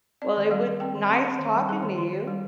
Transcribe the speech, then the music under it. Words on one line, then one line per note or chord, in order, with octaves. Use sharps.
Well, it was nice talking to you.
C4 D5
D#3
G3 D5
D#3
C4 G5
D#3
C4
C4
D#3
G3
G3 G#4
D#3
D#3
D#3
G3